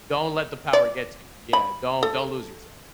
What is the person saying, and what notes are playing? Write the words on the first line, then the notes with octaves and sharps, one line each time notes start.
don't let the power get to you yeah, don't don't lose yourself.
D5
B5
A4